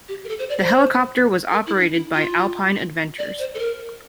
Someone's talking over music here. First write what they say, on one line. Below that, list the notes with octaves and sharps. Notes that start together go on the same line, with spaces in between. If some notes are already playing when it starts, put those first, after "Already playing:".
The helicopter was operated by Alpine Adventures.
G4
A#4
A4
C5
D5
C5
A#4
E4
D4
E4
F4
D5
C5
A4
A#4